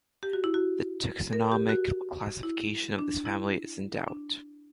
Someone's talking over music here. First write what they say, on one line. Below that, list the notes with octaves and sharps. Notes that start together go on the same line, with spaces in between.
The taxonomic classification of this family is in doubt.
G4
F#4
E4
F#4
A#4
G4
F#4
E4
D4
E4
D4